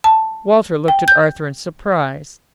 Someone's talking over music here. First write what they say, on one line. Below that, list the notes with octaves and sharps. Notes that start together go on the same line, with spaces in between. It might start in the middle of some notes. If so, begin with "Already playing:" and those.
Walter looked at Arthur in surprise.
A5
G5
G6